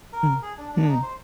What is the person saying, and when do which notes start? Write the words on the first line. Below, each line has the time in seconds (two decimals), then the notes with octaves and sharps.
Mm. Hmm.
0.13 A#4
0.42 G#4
0.57 D4
0.73 D4
0.88 D#4
1.02 C5